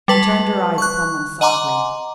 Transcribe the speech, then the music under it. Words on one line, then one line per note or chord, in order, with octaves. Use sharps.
She turned her eyes upon them sadly.
G3 B4 A5
C#6 F#6
D#5 F#5 G#5 A#5 C6 D6